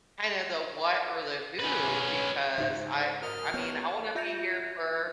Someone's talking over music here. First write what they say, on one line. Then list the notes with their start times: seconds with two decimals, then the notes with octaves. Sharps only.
kinda the what or the who because I I mean, I wanna be here for
1.60 C#4 B4
2.58 G#2 C#3 D#4 C5
3.22 F#3 A#4 D#5 F6
3.54 G3 B3 B4 C#5
4.15 F4 E5 G6 A#6 C#7 F7